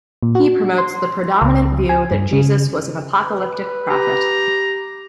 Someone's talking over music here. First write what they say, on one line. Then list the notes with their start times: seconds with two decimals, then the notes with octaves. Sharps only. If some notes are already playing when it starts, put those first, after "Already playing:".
He promotes the predominant view that Jesus was an apocalyptic prophet.
0.23 A#2
0.35 F#4
0.78 C6
1.42 C#2
1.89 G#5
2.11 G2
2.33 C#3
3.24 B4
3.90 G4 A#5